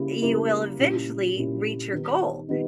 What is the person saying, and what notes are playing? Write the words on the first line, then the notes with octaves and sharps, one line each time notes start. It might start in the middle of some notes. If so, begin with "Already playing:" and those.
you will eventually reach your goal,
Already playing: C#3 G3 A#3 E4
C#3 G3 A#3 E4
A#2 G3 C#4 E4
A#2 G3 C#4 E4
D#3 G3 B3 D#4
D#3 G3 B3 D#4